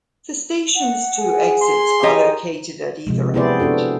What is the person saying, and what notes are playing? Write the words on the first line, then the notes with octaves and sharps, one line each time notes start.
The station's two exits are located at either end.
F#5
G#4
C6
G4 C#5 D#5 A#5
C3 F3 G#3
B3 C4 E4 G#4 C5 D5
B3 D4 F#4 A4